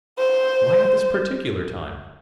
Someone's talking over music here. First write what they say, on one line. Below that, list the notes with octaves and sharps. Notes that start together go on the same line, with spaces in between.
"Why at this particular time?"
C5